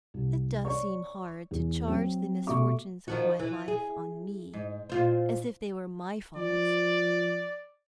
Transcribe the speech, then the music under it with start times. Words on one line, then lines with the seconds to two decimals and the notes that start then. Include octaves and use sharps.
It does seem hard to charge the misfortunes of my life on me, as if they were my faults.
0.14 C2
0.65 C#5 D5 C#6
1.51 E2
1.88 F#3 C4
2.47 B2 A3 F#4 E5 C#6 D6
3.08 D#3 F3 F#4
3.39 E3
3.68 G#4
4.53 G#2
4.89 A#2 F4 C5
6.37 F3 D5